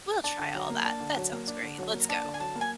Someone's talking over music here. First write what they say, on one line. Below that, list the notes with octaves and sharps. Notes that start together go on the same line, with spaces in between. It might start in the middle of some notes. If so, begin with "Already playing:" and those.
we'll try all that, that sounds great, let's go."
D4 A5
D3
F#3 A#5
A#3
D4 A5
D3
F#3
A#3
D4
D3
F#3
A#3
A#5
D4 A5
D3
G#5
F#3 A5
A#3
G#5